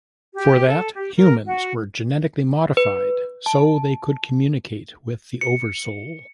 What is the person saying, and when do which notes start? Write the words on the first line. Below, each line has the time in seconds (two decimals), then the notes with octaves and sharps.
For that, humans were genetically modified so they could communicate with the Oversoul.
0.36 G4
0.67 A4
0.95 G4
1.16 A#4
1.45 F#4
2.77 B4
3.46 A5
5.41 C#7